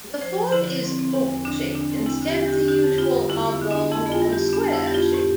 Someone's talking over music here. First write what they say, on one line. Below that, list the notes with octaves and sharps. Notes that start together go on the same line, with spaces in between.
The fort is oval shaped instead of the usual oblong or square shape.
F3 C5
F3
D3 E4
D3
C4
C4
E2
E2
D3 D4
D3
E2 D4
C4
E2 E4
D3 G4
E2
D3 G4
D3 G4
F2
B3 F4
G3
D3 E4
B3 E4
D3
B3 D4
F2 E4
B3
F4
G3
F2 G4
B3 D4
F2 E4
B3 G4
F2 F4
A2 G4